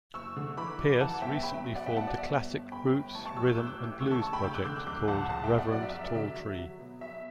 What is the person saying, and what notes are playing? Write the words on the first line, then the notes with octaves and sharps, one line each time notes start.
Pierce recently formed a classic roots, rhythm and blues project called Reverend Tall Tree.
F#1 C#6 E6
D3
E3 B5 D6
F#2
E3 F#5 A5
G1 E5 G5
G1 G5 B5
E5
F#3 E5
D5 F#5
G1 E5 G5
F#5 A5
G1 D5
E5
G1
G1
G1 G5 B5
G1
A1 A5 C#6
A5 C#6
F#3 C#6 E6
E6 G6
A2 D6 F#6
A1
D3 C#6 E6
A5 C#6
A1 A5 C#6
G5 B5
D3 E6 G6
D6 F#6
D3 E6 G6
D6 F#6
C#2 D6 F#6
C#2 F#5 A5
C#2 F#5 A5
E5 G5
B2
D5 F#5
F#2 D5 F#5
E5
F#3 E5
D5
D3 E5
F#3
F#3
B2
B1 E5